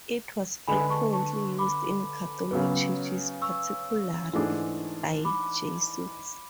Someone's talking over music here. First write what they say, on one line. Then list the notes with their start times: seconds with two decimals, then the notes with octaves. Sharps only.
It was frequently used in Catholic churches, particularly by Jesuits.
0.67 D3 G#3 D4 G#4 B4 G#5 B5
0.90 A5 C#6
1.13 A5 C#6
1.59 B5 D6
2.51 C#3 F#3 B3
3.42 C#6 E6
4.33 G#2 E3 A3 D4 G#4
5.25 B5 D6